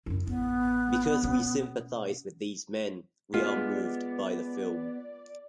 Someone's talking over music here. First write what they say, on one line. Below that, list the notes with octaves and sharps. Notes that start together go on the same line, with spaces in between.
Because we sympathize with these men, we are moved by the film.
F#2 E4
A1 B3
B2 C#4
G#3 B3 F4 D5